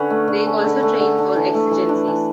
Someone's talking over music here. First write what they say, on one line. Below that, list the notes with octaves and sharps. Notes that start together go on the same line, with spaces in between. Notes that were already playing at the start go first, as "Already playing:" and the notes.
They also train for exigencies.
Already playing: D3 C#4 B4
A3
D3
C#4
D3
A3
D3
D4
E3
A3
E3
D4
E3